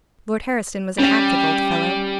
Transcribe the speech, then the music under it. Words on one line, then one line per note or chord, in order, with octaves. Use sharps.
Lord Herriston was an active old fellow.
G3 C#4